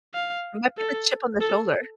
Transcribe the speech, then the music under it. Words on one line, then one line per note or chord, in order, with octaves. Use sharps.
It might be the chip on the shoulder.
F5
A4
A4